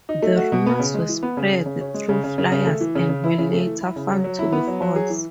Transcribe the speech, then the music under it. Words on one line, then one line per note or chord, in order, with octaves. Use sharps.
The rumors were spread through flyers and were later found to be false.
D#4
A3
F#4
B2
B3
C#3
G#3
E3
B3
C#3
C#3
C#3
C#4
G#3
C#3
C#3
C#3
C#3
A3
E3
C#3
C#3
E4
C#3
A3
E3
E4
C#3
F#3
F#3
E4
B3
F#3
F#3
G#4
E3